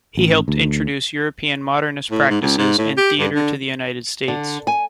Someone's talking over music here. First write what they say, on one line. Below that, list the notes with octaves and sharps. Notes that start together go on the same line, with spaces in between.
He helped introduce European modernist practices in theatre to the United States.
A1
D2
A2
G#2
C#2
G#2
A2
G4
G2
D3
D3
G#5